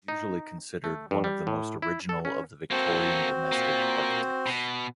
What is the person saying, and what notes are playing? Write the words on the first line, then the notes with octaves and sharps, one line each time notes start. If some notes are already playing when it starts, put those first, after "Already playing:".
He is usually considered one of the most original of the Victorian domestic architects.
D#4
A3
G2
G3
A2
E4
A4
C#4
A#3 C4 F#4 A4 C5
A#2 A#3
B2